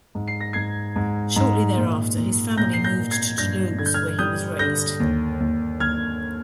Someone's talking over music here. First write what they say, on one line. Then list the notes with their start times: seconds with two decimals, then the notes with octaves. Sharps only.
Shortly thereafter, his family moved to Toulouse, where he was raised.
0.15 G#2
0.28 C7
0.41 A#6
0.53 G#2 G#6 C7
0.96 G#2
1.36 G#2
1.77 A#2
2.17 A#2
2.57 A#2 G6 A#6
2.73 C7
2.84 G6 A#6
2.98 A#2
3.11 G#6 C7
3.38 G2 G6 A#6
3.78 D3 G#6
3.86 G6
3.94 F6 G#6
4.18 G3 D#6 G6
4.59 D3 G6 A#6
5.00 D#2
5.40 D#2
5.80 D#2 F6 G#6